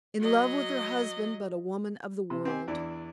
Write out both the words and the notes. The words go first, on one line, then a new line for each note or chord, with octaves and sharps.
In love with her husband but a woman-of-the-world.
F#3 D#5
C3
C4 G4 G#5
E2 D4 E4